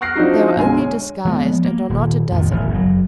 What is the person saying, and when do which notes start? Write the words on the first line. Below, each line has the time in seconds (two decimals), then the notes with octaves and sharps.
They are only disguised, and are not a dozen.
0.01 C#6 F6 F#6 A#6 C7 D7
0.15 F3 C4 D4 D#4 F#4
0.56 B1 D3 G#3 G#5 C6
0.79 C#5
1.25 F3 G#3 A#3 B3
1.65 A#3
1.90 D#1
2.31 F2 A2 D#3 F3
2.51 E1 A1 A2 C#3
2.70 F#1 D3 F#3